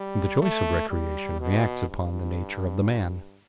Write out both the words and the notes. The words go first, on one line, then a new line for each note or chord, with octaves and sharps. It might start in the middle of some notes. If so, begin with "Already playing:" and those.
The choice of recreation reacts upon the nature of the man.
Already playing: G3
A3
G3
B2
G2